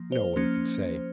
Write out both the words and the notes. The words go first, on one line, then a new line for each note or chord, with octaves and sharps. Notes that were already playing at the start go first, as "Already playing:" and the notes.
No one could say.
Already playing: F3 A#3
C5
F3 A#3 C#4